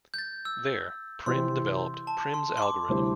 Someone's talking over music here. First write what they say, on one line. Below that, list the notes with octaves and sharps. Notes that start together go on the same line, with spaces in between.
There, Prim developed Prim's algorithm.
G6
A6
E6
C3 E3 C4 G4 C6
A5
C6
C6
D6
D2 C3 G3 E4 C5